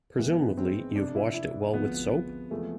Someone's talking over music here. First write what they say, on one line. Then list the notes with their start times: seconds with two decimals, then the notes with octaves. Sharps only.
Presumably you've washed it well with soap?
0.19 G#1 G#2 E3 G#3 B3
0.57 C4
0.95 F1 F2 C3 D4
1.15 E4
1.34 E4
1.73 D2 C3 F3 G#3 B3
2.51 E2 C3 F3 G#3 A3